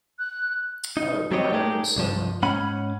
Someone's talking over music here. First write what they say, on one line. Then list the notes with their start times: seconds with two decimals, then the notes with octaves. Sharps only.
Oh, I owe him so much.
0.19 F#6
0.97 D#4
1.31 F#3 G3 C4 G4 C#5 D#5
1.53 A3 D#4 G4 G#4 A#4
1.96 C2 G2 F3
2.43 G#2 C#4 F#5 B5